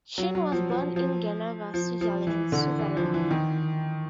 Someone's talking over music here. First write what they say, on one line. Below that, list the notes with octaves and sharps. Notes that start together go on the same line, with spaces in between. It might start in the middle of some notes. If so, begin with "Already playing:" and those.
Chin was born in Geneva, Switzerland.
F#3
F#3
F3
F3
F3
F3
F3
E3
D3
E3
F3
E3
D#3